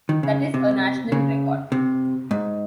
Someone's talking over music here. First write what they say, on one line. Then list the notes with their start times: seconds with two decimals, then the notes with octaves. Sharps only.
That is a national record.
0.09 D#3
0.23 C#3
0.54 C3
1.12 C#3
1.72 C3
2.31 G#2